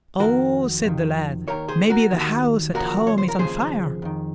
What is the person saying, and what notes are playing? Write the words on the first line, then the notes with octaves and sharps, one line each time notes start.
'Oh', said the lad, 'maybe the house at home is on fire!'
F2 C3 D#3 F#4 A#4
F2 C3 D#3
D#2 D#3 A#4 C#5
G#4 C5
F#4 A#4
D#2 D#3
D#2 C#3 F3 F#4 A#4
C#5
C5
A#4
D#2 C#3 F3 G#4 C5
F2 D#3